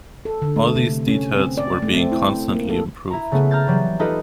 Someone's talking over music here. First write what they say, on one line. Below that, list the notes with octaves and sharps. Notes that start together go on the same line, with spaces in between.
All these details were being constantly improved.
A4
D3
A3
C3
C#4
C4
D5
A3
C4
E4
A#3
A4
E4 A#5
C#3 A3 B3
A#5 F6 G6 A6
E3 F#3 G3
D#4 F4 G4 A4 B4 D#5